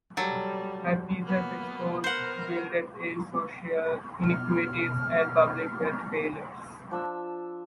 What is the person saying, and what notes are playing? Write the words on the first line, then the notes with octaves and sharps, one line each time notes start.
Her pieces exposed Gilded Age social inequities and public health failures.
F#3 G3 A4
A#3 B3
B3 A#4 C5 F#5
B2 F6
F3 D4 E6